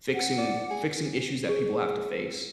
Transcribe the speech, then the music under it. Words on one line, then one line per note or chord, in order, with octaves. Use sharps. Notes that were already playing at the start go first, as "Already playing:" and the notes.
fixing fixing issues that people have to face,
F#5
D5
G#4
G#4